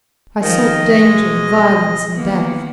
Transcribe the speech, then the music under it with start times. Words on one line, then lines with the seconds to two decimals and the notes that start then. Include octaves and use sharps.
I sought danger, violence, and death.
0.43 D#3 F3 D#5
1.00 B2 G#3
2.14 D#3 A#3 B3